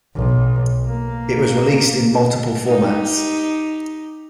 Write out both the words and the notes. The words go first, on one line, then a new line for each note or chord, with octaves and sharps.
It was released in multiple formats.
B1
A#3
D#4 G4